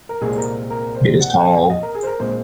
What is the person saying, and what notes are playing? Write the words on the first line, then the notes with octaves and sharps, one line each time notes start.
It is tall.
A#4
C2 A#2 G#3 C4 G#4
A#4
A#4
C5
F#5
F5
D#5
A#4
G#4
C5
A#4
A#2 G#3 C4 C5